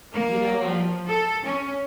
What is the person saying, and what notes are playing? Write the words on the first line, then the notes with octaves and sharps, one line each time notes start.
Do you know what?
A#3
F3
A4
C#4